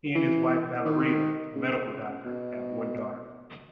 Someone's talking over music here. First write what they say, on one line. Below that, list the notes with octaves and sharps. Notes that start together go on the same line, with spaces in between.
He and his wife Valeria, a medical doctor, have one daughter.
E3
D#3
C#3
B2